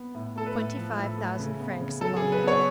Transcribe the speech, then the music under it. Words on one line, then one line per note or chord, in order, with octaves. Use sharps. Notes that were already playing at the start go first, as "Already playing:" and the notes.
"Twenty-five thousand francs a bottle."
Already playing: B3
A2
A3 A4
B4
A2
F3
A2
A3
C#3
B3
C#3
F#3 A4
G#4
C#3
B4
B3
C#5